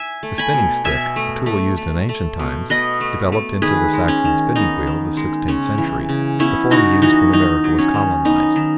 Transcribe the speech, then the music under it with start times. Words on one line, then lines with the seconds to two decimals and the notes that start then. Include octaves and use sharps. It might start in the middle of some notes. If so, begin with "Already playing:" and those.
The spinning-stick, a tool used in ancient times, developed into the Saxon spinning-wheel of the sixteenth century, the form used when America was colonized.
Already playing: E5 G#5
0.23 A3
0.38 G#5 B5
0.53 B2
0.84 B2 E5 G#5
1.16 A3
1.46 A3
1.77 A3
2.09 A3
2.39 B2
2.70 B2 B4 D#5
3.00 A3
3.32 A3
3.62 D#3 G#4 B4
3.93 G#3
4.08 C#4
4.25 D#3
4.55 B3 D#4
4.87 D#3
5.17 G#3
5.48 C#3 C#4
5.78 E3
6.09 C#3
6.39 B3 C#4 E4
6.70 C#3 D#4 F#4
7.02 E3 D#4 F#4
7.32 D#3 D#4
7.64 F#3
7.78 C#4
7.94 D#3
8.25 B3 D#4
8.56 D#3